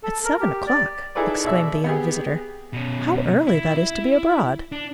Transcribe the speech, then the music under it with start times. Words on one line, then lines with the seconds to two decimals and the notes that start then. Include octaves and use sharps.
'At seven o'clock!' exclaimed the young visitor; 'how early that is to be abroad!
0.03 A4
0.25 A#4
0.41 G4
0.67 D5
1.15 D#4 E4 G#4 A4 B4 D5
1.44 B2 D5 E5
1.84 B3 G4 G#4
2.73 B2 C#4
3.47 E4
3.77 E4
4.72 D4